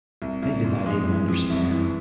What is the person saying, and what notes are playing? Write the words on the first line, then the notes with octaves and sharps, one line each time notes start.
They did not even understand.
C2
C2
A#2
F2 G#3
E3
F2
C2
E3